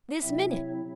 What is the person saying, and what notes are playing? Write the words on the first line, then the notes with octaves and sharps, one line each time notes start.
This minute!
C3 F#3 C4 E4 E5
C#5